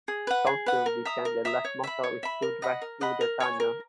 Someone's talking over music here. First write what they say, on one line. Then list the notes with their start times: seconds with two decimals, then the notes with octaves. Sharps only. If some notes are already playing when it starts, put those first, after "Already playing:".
Thomson became the last motorist to drive through the tunnel.
0.08 G#4
0.27 B4 F#5
0.47 G#4
0.66 B4 F#5
0.86 A#4
1.05 E5 A#5 D#6
1.25 A#4
1.45 E5 A#5 D#6
1.65 C#5
1.84 E5 B5
2.04 C#5
2.23 E5 B5
2.42 A#4
2.62 D#5 F#5 B5
2.82 A#4
3.01 D#5 F#5 B5
3.21 A#4
3.40 C#5 G#5 C#6
3.60 A#4